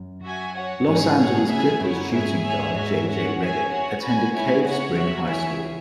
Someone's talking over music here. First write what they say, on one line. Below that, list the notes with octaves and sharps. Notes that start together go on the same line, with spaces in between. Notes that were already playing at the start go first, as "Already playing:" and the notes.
Los Angeles Clippers shooting guard J. J. Redick attended Cave Spring High School.
Already playing: F#2
F#4 E5 G#5
F#4 C#5 F#5
G#2 C#4 G#4 C#5
G#4 C#5 F#5
C#3 G#4 E5 G#5
F#2 E4 C#5 F#5
F#2
G#2 C#4 G#4 E5 G#5
G#4 C#5 E5 G#5
G#2 F#4 E5 G#5
C#4 F#4 C#5 F#5
C#4 G#4 C#5 E5 G#5
F#4 C#5 F#5
F#4 B4 G#5
B3 E4 C#5 G#5
C#3 F#4 C#5 F#5
F#3 F#4 C#5 E5
E3 E4 G#4 C#5 E5